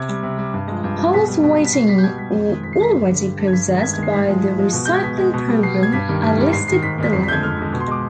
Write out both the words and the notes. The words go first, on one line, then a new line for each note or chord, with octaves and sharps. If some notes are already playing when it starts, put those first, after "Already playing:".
Hulls waiting or already processed by the recycling program are listed below.
Already playing: C3 G#6
G3
C3
G3
G2
F3 G#3
G2
F3 G#3
B2 B6
G3
B2
G3
B6
B2 C7
G3 B6
G6
B2 G#6
G3 B6
F2
D#3 G#3
F2 B6
C7
D#3 G#3 B6
G2
D3 G3
G2
D3 G3
G#6
G2 B6
D#3 G#3
B6
G2 G#6
G#6
D#3 G#3 C7
G#2 B6
F3 G#3
G#2
F3 G#3
B2
G#3 G6
G#6
B2 B6
G#3
B2
G3
B2 C7
G3 G#6
G2 B6
D#3 G3
G2
D#3 G3
G#2 C7
D#3 G#3 C7
G#2 B6
D#3 G#3 B6
F2 C7
B6
D3 G#3 G6 G#6
F2 F6
D3 G#3
B2
C6
G#3 D6